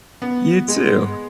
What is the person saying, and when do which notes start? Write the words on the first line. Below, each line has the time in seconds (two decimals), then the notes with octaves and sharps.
You, too.
0.22 B3
0.68 G#3